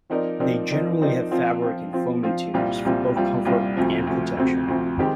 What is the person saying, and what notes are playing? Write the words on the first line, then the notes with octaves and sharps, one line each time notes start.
They generally have fabric and foam interiors for both comfort and protection.
F3 C4 D#4 A#4 D5
F3 C4 D#4 A#4 D5
F3 C4 D#4 A#4 D5
F3 C4 D#4 A#4 D5
F3 C4 F4
F3 C4 F4
F3 C4 F4
F3 C4 F4
C2 A#2 G3 C4 F4
C2 A#2 G3 C4 F4
C2 A#2 G3 C4 F4
C2 A#2 G3 C4 F4
D2 C3 F3 C4
D2 C3 F3 C4
D2 C3 F3 C4
D2 C3 F3 C4
D#3 G#3 C4 G4